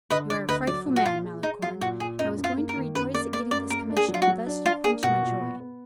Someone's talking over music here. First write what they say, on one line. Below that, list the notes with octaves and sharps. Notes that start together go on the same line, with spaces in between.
"You are a frightful man, Malicorne; I was going to rejoice at getting this commission, and thus you quench my joy."
D3 B4 D#5
D3 D5
D2 B4 D#5
F#3 D5
A#2
F#4
A#2 F4
G#4
D#4 G#4
F#3 F4
A#2 F#4
A#2 G#4
F#2 D#4
F#2
F4
A#3
A#4
D#3
F#2 B4
A#3 D5
A#3 D5
F#2 D5
A#3 A#4
D4
G#4
F#3
F4
F#4
F#3
D4
D4 F4
A#3 G#4
B2 F#4
A#2
B3
B3